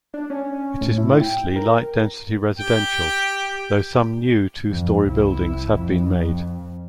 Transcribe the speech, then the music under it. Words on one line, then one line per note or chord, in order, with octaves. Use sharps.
It is mostly light-density residential, though some new two-storey buildings have been made.
D4
C#4
A2
E4
G5
A#4
G4 G5
F2
C2 E4
F2